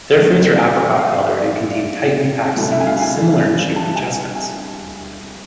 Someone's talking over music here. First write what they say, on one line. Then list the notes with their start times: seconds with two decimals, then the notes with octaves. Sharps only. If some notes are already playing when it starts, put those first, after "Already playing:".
Their fruits are apricot-coloured and contain tightly packed seeds, similar in shape to chestnuts.
0.19 E2 D3 A3 C4
0.59 G#5
0.99 F5
1.19 E5
1.38 D5
2.56 C2 B2 A3 E4
2.72 E5
2.80 G#5
2.86 F5
3.01 G#5
3.76 A5
3.96 G#5
4.35 G#5